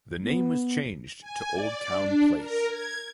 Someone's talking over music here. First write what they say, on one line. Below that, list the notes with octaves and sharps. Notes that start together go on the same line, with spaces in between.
The name was changed to Old Town Place.
B3
G#5
D5
D4
A#4
G#6